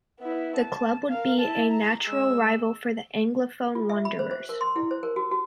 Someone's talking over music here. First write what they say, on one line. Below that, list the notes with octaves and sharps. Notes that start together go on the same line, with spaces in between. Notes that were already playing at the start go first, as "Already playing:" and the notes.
The club would be a natural rival for the anglophone Wanderers.
B3 E4
A5
A#4 F5
E4 A5
A#5
G#3 E6
F4
E5
B5
C5
C5
A#4
C6
E4
C5
A#4
F#4
F#4